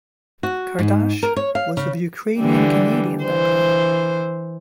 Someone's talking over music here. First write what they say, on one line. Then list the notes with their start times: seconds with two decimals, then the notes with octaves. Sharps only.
Kardash was of Ukrainian Canadian background.
0.43 F#4
0.79 G#2
1.23 A#4
1.36 C#5
1.55 F5
1.77 C#3
2.39 D3 E3 G3
3.24 E3 C5